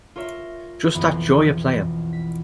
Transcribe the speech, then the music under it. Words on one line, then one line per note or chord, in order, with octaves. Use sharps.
Just that joy of playing.
F4 A#4 C#5 E5
B1 F2 E3 B3
B6